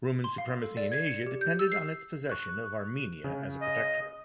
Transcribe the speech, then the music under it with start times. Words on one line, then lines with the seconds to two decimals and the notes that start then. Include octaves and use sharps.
Roman supremacy in Asia depended on its possession of Armenia as a protectorate.
0.24 C6
0.38 F5
0.62 A4
0.77 D5
0.92 G#6
1.07 C#7
1.27 G4
1.41 G6
1.59 E6
1.72 C7
2.29 C#6 F#6
3.24 C#3
3.61 D#5